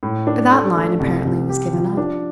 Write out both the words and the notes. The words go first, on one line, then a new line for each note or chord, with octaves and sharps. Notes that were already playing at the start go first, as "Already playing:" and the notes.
That line apparently was given up.
A2
D4
A4
A3
C2
C2
G4
F3
D4